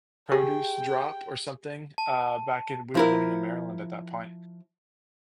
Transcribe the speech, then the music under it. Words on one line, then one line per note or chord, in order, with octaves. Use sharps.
produce drop or something, uh, back in we were living in Maryland at that point,
G4 G#4 G5
A5
F3 E4 A#4